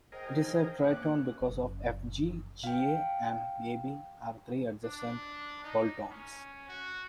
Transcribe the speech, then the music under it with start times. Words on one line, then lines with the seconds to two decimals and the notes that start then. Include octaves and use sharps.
It is a tritone because F-G, G-A, and A-B are three adjacent whole tones.
0.12 G#4 A#4 C5 D#5 G5
0.84 A2 A#3 C#4 D6 F#6
1.41 F#1
2.64 F5 G5
4.84 D4
5.64 D#4
6.11 C#4
6.68 F#4